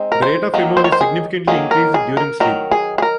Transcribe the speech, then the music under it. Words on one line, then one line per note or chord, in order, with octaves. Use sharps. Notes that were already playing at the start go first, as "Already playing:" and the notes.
The rate of removal is significantly increased during sleep.
Already playing: G#3 C4 D#4
A#4
C5
D#3 F#3 A#3
C5
C#5
C5
G#4
D#3 F#3 A#3 G#4
A#4
G#4
A#4
D#3 F#3 A#4
G#4
G#4
A#4